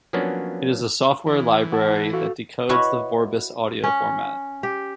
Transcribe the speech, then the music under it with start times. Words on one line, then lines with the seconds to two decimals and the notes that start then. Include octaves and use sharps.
It is a software library that decodes the Vorbis audio format.
0.13 F3 F#3 A#3 B3 C#4 D4
1.26 E3
1.72 F#5 A5
2.13 F#4 A4 F5
2.69 E4 F#4 B4 C#5 D#5 G#5
3.84 C#4
4.63 G4